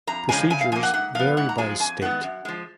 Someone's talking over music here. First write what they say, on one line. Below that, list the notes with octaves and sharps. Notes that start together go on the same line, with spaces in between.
Procedures vary by state.
F2 A#5
C#3 F3 G#3 G#5
C#3 G#5
F5
F3 A#3 G#5
F#5
G#2 F#5
F3 B3 F5
G#2 F#5
A#5
F3 G#3 G#5
F2 G#5
D#3 G#3 B3 F#5
F#2
F3 G#3